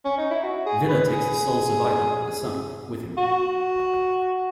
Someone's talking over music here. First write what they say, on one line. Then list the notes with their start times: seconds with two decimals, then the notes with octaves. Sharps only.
Villa takes the sole survivor, the son, with him.
0.05 C#4
0.18 D#4
0.31 E4
0.43 F#4
0.66 G#4
0.89 B4
1.12 G#4
3.17 F#4